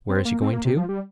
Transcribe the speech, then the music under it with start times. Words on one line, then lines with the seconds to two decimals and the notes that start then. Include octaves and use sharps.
Where is he going to?
0.10 C4
0.25 A#3
0.42 C4
0.53 A#3
0.65 C3
0.77 F3
0.89 G3